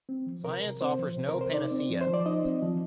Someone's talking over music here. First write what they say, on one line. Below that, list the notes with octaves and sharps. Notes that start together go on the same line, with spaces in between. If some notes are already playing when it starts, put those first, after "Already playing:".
Science offers no panacea.
C4
F3
C3 A#4
C3
C4 C5
F3
C3
A#4
C3
C5
D#4 D5
C4
F3
C5
F3
D5
D#4 D#5
C4
F3